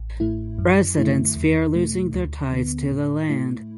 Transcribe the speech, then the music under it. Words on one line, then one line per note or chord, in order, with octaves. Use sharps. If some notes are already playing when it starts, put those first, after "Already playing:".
Residents fear losing their ties to the land.
Already playing: A1
A2 A3 E4
F#2
D3 A3 E4
E2
B2 A3
D2
D3 B3
A2
A3 E4